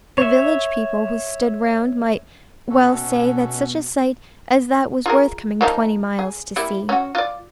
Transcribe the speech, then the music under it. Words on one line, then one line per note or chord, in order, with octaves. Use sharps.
The village people who stood round might well say that such a sight as that was worth coming twenty miles to see.
C#5 E5
B2 C#4 F#4 A4
F4 G#4 A#4
F3 A#3 D#4
G#4
G3 A#3 E4
C#4 F#4
F4 D5